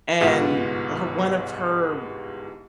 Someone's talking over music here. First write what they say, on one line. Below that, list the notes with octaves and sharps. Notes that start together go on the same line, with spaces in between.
and her one of her
G1 C2 G#2 B3 F4